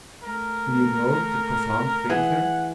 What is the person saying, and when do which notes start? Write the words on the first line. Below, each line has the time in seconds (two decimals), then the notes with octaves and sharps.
Do you know that profound thinker?
0.24 A3 A#4
2.10 E3 G#4 F#5